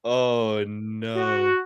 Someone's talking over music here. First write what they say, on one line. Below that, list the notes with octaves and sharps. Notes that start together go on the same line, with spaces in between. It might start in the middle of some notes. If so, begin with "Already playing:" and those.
Oh, no.
F#4